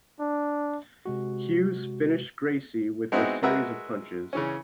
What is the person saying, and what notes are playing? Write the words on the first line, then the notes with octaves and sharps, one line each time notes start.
Hughes finished Gracie with a series of punches.
D4
C3 G#3 F#4
G#3 B3 C4 D#4 E4 F#4
G#3 F#4 A#4 B4 E5 F#5
C#3 E3 C#4